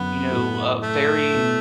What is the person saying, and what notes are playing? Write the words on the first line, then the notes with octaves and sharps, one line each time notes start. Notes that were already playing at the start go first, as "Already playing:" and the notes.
you know, uh, very
Already playing: F#2 D3 F#3 B3 D4
A2 A3 E4
A3
B2 B3 E4